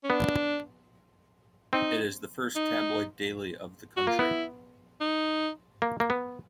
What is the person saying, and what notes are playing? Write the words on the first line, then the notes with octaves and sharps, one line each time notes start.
It is the first tabloid daily of the country.
C#4
B3 D4
C4 D#4
D#4
F#4
A#3 F4
B3 E4
D#4
A#3
A#3
B3